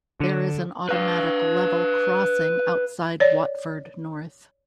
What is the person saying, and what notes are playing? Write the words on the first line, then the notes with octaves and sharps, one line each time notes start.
There is an automatic level crossing outside Watford North.
D3
B4 F5
C#5 D5